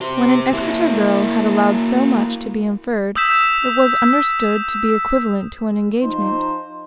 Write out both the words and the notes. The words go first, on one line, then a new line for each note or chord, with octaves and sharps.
When an Exeter girl had allowed so much to be inferred, it was understood to be equivalent to an engagement.
G4 C5
A#3 E4
D#6 E6 G6 B6 E7
F3 D#4 C5